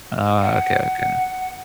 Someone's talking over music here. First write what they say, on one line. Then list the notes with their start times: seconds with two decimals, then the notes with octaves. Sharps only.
Oh, okay, okay.
0.42 F#5